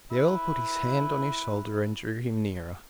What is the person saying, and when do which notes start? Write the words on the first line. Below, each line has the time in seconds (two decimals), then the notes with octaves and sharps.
The Earl put his hand on his shoulder and drew him nearer.
0.11 E4 B4